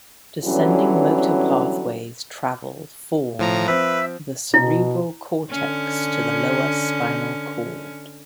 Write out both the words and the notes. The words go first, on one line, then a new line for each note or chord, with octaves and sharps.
Descending motor pathways travel form the cerebral cortex to the lower spinal cord.
D3 E3 F#3 G3 B3 C#4
A2 F3 A#5
F3 C4 B4 E5
B2 E4
D3 C#4